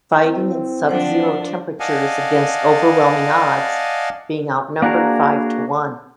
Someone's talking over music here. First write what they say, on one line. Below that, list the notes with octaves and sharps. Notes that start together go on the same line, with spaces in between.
Fighting in sub-zero temperatures against overwhelming odds, being outnumbered five to one.
C4 E4
F3 D4 C5 F#5
D5 D#5 F5 F#5 G#5 A5
A#3 D4 F#4 G#4 A#4